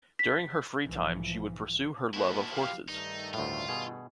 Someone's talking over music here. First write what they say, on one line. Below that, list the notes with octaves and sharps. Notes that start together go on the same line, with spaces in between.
During her free time she would pursue her love of horses.
B6
B1 G#2 E3 F3
F3 A#3 D#4 E4 F#4
F#1 G4 F5
G2 D#3 A3 D#4
D2 A2 F4
B2 G#4